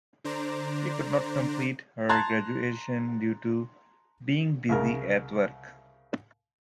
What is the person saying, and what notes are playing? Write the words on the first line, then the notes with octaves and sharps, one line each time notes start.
She could not complete her graduation due to being busy at work.
D3 D4 C5 A#5 D6
A5 A#5 C6 F#6 G#6 A6
C2 C#3 A#4